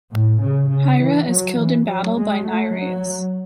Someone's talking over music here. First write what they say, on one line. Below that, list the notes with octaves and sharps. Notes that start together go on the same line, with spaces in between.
Hiera is killed in battle by Nireus.
A2
C#3
C#3
E3
F#3
E3
F#3
G#3
A3
F#3